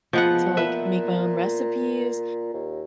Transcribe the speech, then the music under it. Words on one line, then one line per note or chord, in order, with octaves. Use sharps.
to, like, make my own recipes,
F3 G#3 B3 F#5
A#2 B4 E5
D#2